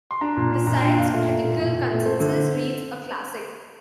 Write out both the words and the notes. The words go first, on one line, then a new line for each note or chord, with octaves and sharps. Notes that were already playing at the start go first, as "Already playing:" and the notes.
The site's critical consensus reads, A classic.
C6
D4 A#5
A#2
D4
A#2 A#5
D4 G5
A#2 F5
A3 E5
A#2
A3
A#2
A#2
A3
A3 C5
D3